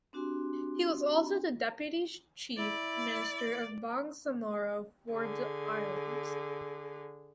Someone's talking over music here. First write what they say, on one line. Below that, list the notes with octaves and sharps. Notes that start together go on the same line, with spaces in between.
He was also the Deputy Chief Minister of Bangsamoro for the Islands.
C4 D4 F#4 G4 G#5 C6
E4 D5
D3 G#4